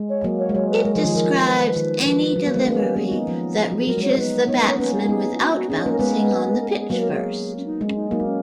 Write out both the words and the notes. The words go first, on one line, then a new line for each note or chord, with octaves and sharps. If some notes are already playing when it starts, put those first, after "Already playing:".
It describes any delivery that reaches the batsman without bouncing on the pitch first.
Already playing: G#3
C#5
F#3 A#3
C#5
G#3
F#3 C#5
B4
G#3 A#4
F3 A#4
D#3 G#4
F3 A#4
A#4
B4
D#3
C#5
F3 B4
F#3
F#3 A#3
G#3 B3
A#3 C#4
A#3 C#4 G#4
F#4
B3 D#4
F3
F3
F#3
G#4
F#3 A#4
G#3
C#5
B3 D#4 B4
B3 D#4 C#5
B4
A#3 C#4 C#5
A#3 C#4 B4
G#4
A#4
B3 D#4 G#4
F4
F#4
F#4
C#4 G#4
D#4
A#3 C#4 B4
A#4
G#3 B3 B4
A#4
G#4
G#4
F#3 A#3 B4
A#4
G#4
C#4
D#4
G#3
C#4
D#4
F#3 A#3 D#4
C#4